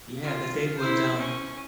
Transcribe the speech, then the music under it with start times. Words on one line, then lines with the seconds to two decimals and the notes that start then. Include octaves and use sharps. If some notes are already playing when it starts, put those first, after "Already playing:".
Yeah, that they would, um,
0.23 F4
0.78 E4 C5
1.17 C#4